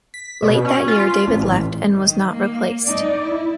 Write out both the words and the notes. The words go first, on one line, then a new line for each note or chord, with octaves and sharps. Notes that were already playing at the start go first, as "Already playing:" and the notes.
Late that year David left and was not replaced.
B6
B2
C#4
F4
B6
A1
D#3
A#3
D#4 D5
E4